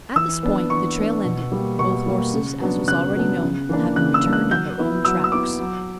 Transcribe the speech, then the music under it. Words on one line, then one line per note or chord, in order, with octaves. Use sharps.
At this point the trail ended--both horses, as was already known, having returned on their own tracks.
E3 E6
B3 D4
E3 C#6
B3 D4
B2
G3 A#3
B2 C#6
G3 A#3
C#3
F#3 B3 D4
C#3 F#6
F#3 B3 D4
C#3
E3 A#3 D4
C#3 F#6
E6
E3 A#3 D4
F#6
F#3 G6
B3 E4
F#3 E6
E6
B3 E4 D6
F#3